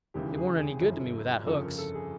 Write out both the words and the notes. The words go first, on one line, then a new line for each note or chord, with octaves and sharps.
It warn't any good to me without hooks.
E1 D#2 C#3 E3 G4
G#4
G#4
G1 F#2 D3 F3
G1 F2 C#3 F3 A4
A#4
A4
G#4